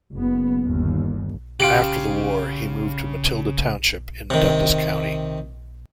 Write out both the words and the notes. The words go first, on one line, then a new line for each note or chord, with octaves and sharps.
After the war, he moved to Matilda Township in Dundas County.
F#1 B3
G1 D#2
C#3 F4 G4 D7 F#7
C3 D#3